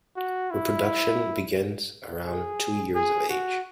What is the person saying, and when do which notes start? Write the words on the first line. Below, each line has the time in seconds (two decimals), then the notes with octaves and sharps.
Reproduction begins around two years of age.
0.17 F#4
0.51 E4
2.25 G#4
2.94 G#4
3.29 F#4